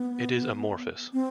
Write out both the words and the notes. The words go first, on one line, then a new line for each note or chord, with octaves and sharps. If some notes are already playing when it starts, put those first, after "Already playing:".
It is amorphous.
Already playing: B3
C4